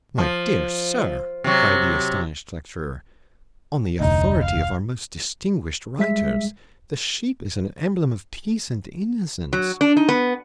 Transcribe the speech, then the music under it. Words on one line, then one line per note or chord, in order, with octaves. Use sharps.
"My dear sir," cried the astonished lecturer, "on the authority of our most distinguished writers, the sheep is an emblem of peace and innocence."
F3
C3 F#3
F1 D2 D#4
F5
G3 G#3 E5 B6
F#3
D4
D#4
B3